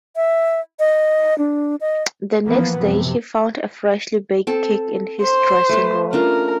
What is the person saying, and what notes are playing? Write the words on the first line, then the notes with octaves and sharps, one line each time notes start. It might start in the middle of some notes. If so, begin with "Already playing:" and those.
The next day, he found a freshly baked cake in his dressing room.
E5
D#5
D4
D#5
E3 F3 A#3 B3
F#2 C3 F3
C4 A4
C5
A3 B4
C#4 D4 F4 A#4